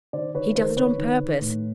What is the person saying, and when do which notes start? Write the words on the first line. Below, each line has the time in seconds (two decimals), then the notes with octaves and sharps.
He does it on purpose.
0.13 D#3 C5 D5
0.35 D#3 B4 C#5
0.55 D#3 A#4 C5
0.77 D#3 B4 C#5
0.97 D#3
1.20 D#3
1.41 A2